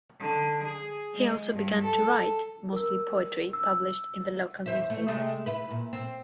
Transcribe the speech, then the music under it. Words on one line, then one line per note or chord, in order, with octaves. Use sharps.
He also began to write, mostly poetry published in the local newspapers.
D3
G#4
G#3
G2
A4
A#4 E6
E6
E2 C5 E5
A3
C3 G#3 A3
E4 B4
A#2
C4